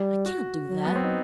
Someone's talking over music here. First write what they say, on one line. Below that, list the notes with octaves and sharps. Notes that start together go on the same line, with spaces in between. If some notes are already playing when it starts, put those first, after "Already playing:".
"I can't do that."
Already playing: G3
F#4
F#3
B3
C4
D#4